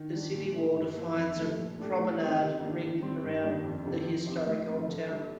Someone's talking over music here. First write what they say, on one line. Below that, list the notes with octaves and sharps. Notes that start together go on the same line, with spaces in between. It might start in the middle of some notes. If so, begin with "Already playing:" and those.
The city wall defines a promenade ring around the historic Old Town.
Already playing: D#3
G3 D4
A#2
A3 D#4
G2
F3 A#3
F2
C3 F3 A3
A#2
A3 D4 G4
A2
G3 C4
C3
D#3 A#3 D4
D#3
G3 C4
G2
D#3 G3 A#3 D4
F2
C3 D#3
F3
C4 D#4 G4
A2
F3 C4 F4
D3
G3 A#3 D4